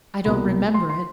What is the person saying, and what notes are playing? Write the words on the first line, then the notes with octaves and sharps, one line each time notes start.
I don't remember it.
C2 B2 G3 A#3 B5
C6
C6